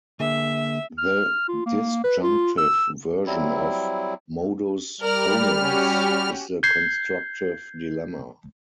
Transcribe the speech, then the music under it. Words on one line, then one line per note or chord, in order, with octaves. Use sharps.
The disjunctive version of "modus ponens" is the constructive dilemma.
D3 A#3 G#4 E5
F6
F4
A#3
B4
F4
E6
F#3 G3 C4 E4
G3 A#4 D5 F6
C#4 F#4 G4
G6 G#6 C7